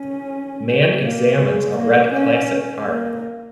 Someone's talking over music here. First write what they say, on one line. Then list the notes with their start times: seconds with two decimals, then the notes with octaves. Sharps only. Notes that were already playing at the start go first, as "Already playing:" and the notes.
Man examines a red classic car.
Already playing: C#4
1.02 A#3
1.39 G#3
1.76 A#3
2.13 C#4
2.87 A#3